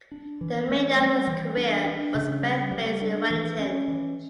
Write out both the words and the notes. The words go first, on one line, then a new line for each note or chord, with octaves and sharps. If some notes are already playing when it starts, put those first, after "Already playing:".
The remainder of his career was spent based in Wellington.
D4
E3
A3
G3
E3
D4
D4
C#3
G3
G3
D4
E3
C#4
E3